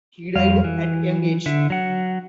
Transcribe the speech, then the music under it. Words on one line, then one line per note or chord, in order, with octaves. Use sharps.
He died at young age.
F2 G3 F5
E3
D3 E5
F#3 F#5